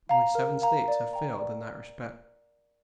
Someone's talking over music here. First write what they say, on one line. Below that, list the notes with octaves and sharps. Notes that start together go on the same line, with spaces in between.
Only seven states have failed in that respect.
F5 A#5
A#4
F5 A#5
D5
G5 A#5
D5